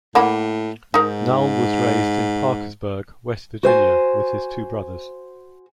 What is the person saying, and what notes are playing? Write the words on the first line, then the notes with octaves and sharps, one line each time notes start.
Null was raised in Parkersburg, West Virginia, with his two brothers.
A2 A#3 F#5 B5
G#2 D#4 A#4
F#4 C5 G#5